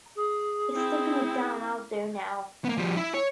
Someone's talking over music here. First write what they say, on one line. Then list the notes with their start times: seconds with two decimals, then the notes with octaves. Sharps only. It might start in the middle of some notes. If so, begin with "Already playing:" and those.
It's tipping it down out there now.
0.16 G#4
0.75 C4 E4
2.65 A#3 B3
2.77 F3 G3
2.97 E4
3.14 C#5